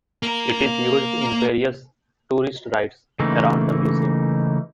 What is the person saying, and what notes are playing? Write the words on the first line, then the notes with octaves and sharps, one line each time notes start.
It is used in various tourist rides around the museum.
A#3 A#4
C#3 E3 A3 A#3 D#4